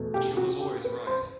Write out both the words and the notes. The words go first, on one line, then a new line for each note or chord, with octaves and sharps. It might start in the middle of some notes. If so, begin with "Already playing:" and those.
But she was always right.
Already playing: E2 B2 A3
G4
F#4
G4
B4
C5